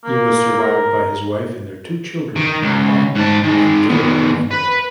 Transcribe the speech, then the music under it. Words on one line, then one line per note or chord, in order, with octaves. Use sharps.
He was survived by his wife and their two children, Yvonne and Gary Manuel.
A#3
A#4
D#3
C#2
G#2 A5
D#3 G#3
D#3 B3
B4